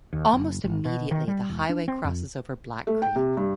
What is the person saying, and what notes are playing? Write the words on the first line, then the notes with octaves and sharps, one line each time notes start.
Almost immediately, the highway crosses over Black Creek.
D#2
F#1
G#1
B2
D#3
G3
E1
D4
C4
F2
A3
G5
C3
G2